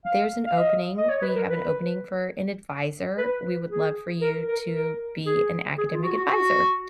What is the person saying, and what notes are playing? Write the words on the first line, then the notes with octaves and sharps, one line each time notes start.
there's an opening, we have an opening for an adviser, we would love for you to be an academic adviser,"
F5
F5
D#5
D#5
C#5
B4
A#4
B4
B4
G#4
A#4
A#4
A#4
G#4
G#4
F4
F#4
F#4
F#4